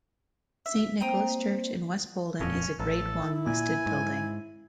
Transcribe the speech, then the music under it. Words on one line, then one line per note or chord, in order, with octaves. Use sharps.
Saint Nicholas Church in West Boldon is a Grade One listed building.
E5
A#3 C4 C5 G5 A#5 D#6
D#1 F2 C#4
A1 A4
E4
A#2 G#5
G#2